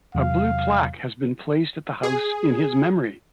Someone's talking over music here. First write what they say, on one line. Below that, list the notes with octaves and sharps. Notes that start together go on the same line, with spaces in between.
A blue plaque has been placed at the house in his memory.
E2 C3 F#3 F5
G#4